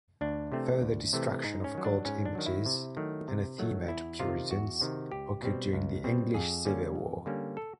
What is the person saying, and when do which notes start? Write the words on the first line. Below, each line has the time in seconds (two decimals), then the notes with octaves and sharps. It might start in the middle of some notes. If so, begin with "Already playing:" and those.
Further destruction of cult images, anathema to Puritans, occurred during the English Civil War.
0.21 D2 D4
0.52 C3 E3 A3 C4
0.82 D2
1.13 C3 E3 A3 C4
1.44 G#2 D#4
1.64 C#4
1.74 D#3 F#3
1.84 D4
2.05 G#2 C#4
2.25 D4
2.35 D#3 F#3
2.46 E4
2.66 C3
2.97 D#3 F#3 A3
3.28 C3
3.58 D#3 F#3 A3
3.88 E2 E4
4.20 C3 D#3 F4
4.50 E2 F#4
4.81 C3 D#3
5.12 C#2 G4
5.42 B2 G3 C4
5.73 C#2
6.04 B2 G3 C4
6.34 F2 G#4
6.65 D3 G3 A#3 C#4
6.96 F2
7.26 D3 G3 A#3 C#4
7.57 A4